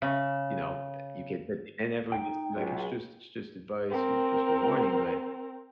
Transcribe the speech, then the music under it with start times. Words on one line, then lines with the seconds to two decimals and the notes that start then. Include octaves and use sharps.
you know, uh, you get and everyone gets to be, like, "It's just it's just advice, it was just a warning," but,
0.02 C#3
2.12 D#4 G5
2.55 C#2 F#3
3.90 C4 A#4